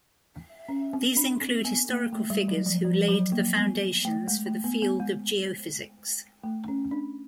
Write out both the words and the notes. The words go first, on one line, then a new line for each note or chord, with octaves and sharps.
These include historical figures who laid the foundations for the field of geophysics.
C#4
C4
D4
C4
B3
A#3
A3
G3
F#3
F3
F3
F#3
A#3
B3
A3
G#3
A3
B3
B3
G#3
A3
C#4
D4